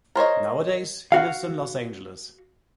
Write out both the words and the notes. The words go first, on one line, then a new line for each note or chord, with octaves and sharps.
Nowadays he lives in Los Angeles.
A#4 C5 C#5 D#5
F#4 F5